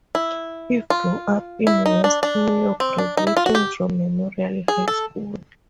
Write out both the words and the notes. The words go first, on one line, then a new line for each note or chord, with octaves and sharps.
He grew up in West New York graduating from Memorial High School.
E4
F4
E4
D#4
D4
D4
C4
D4
D#4
E4
F4
F#4
G4
G#4
A4